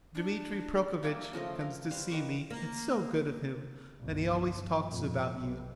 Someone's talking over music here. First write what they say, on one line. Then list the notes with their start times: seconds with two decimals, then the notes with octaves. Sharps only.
Dmitri Prokofitch comes to see me, it's so good of him, and he always talks about you.
0.15 D4
1.03 A#3 D4 E5 G5
1.33 C#3 F3 A3 D#5
1.61 A#4
1.91 G3 B4 C5 F5
2.10 D#3 B4 C#6 D6
2.50 A#3
4.00 G1 C2
4.58 F3
4.88 F2 A#2
5.40 B1 B2